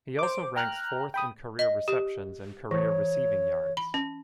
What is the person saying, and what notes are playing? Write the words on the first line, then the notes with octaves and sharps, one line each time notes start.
He also ranks fourth in career receptions and career receiving yards.
C5 D6
G5 A#5 F6 F#6
G5 B5 D#6
D#5
G4
E3 C#5
B5
C#4